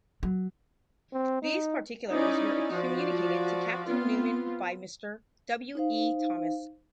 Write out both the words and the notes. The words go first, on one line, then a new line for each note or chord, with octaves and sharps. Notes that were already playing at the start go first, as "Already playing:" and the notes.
These particulars were communicated to Captain Newman by Mr. W. E. Thomas.
F#3
C4
D#4
C#4 D#4 E4 D5
F3 F#4 D5
B3 C4 F4
D#4 C5 F5